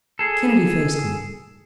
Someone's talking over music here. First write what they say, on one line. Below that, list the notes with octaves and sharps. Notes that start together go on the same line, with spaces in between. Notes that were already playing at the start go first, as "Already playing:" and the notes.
Kennedy faced me.
G#4 A4